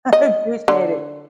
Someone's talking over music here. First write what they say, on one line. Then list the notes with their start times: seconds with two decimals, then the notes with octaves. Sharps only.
I appreciate it.
0.13 D#5
0.68 D3